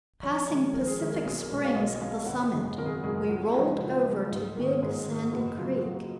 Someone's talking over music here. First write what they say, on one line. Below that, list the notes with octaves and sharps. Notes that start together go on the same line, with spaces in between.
Passing Pacific Springs at the summit, we rolled over to Big Sandy Creek.
F2 C#5
D#3 G#3 C#4 C#5
F2 A#4
G#4
D#3 G#3 C#4 A#4
A#4
B1 G#4
A#4
B2 G#3 C#4
F5
B1 D#5
B2 G#3 C#4 F5
G#1 F#5
F#2 C#3 G#3
G#1 A#4
G#4
F#4
F#2 C#3 G#3 G#4
C#2 F#4
C#3 F3 G#3 F4
C#2 F#4
C#3 F3 G#3
G#2
D#3 A#3
G#2 G#4
D#3 A#3
F#1 F#4
F#2 C#3 F#3 F4
F4
F#1 F#4